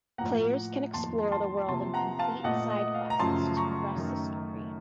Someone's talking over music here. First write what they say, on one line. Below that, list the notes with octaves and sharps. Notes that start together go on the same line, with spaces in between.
Players can explore the world and complete side quests to progress the story.
A2 F3 A#3 F#5 A#5
F2 D#3 A#3 A5 C6
A5 C6
C3 F3 A#3 A5 C6
F#5 A#5
F5 A5
A#2 A3 D#5 F#5
D#5
F5
A#5
F#2 C#3 F3 A3 A5 C6
A#5 C#6
F#2 D#3 A3